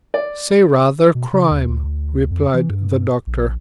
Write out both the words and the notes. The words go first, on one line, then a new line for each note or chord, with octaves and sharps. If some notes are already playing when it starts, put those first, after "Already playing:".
"Say, rather, crime!" replied the doctor.
D5
B2
C#3
D#2
D2
D2
F2
E3
G2
A#1